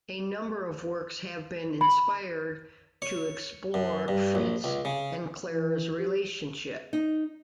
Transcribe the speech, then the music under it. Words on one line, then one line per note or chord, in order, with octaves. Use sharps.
A number of works have been inspired to explore Fritz and Clara's relationship.
B5
C#5
F#2
G2
A#1
C#2
C#3
E3
G4
D#4